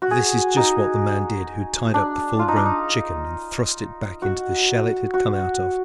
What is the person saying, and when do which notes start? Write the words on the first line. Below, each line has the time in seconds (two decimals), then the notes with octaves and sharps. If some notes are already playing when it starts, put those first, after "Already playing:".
This is just what the man did who tied up the full-grown chicken and thrust it back into the shell it had come out of.
0.02 F#4
0.11 G#4
0.57 D#4
1.94 D4
2.39 F4
2.48 D#4
2.57 D4
2.65 D#4
4.22 F#4
5.14 F#4